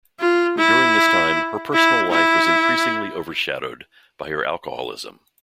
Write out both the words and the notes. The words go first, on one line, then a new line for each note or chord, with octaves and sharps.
During this time, her personal life was increasingly overshadowed by her alcoholism.
F4
E4
E4
E4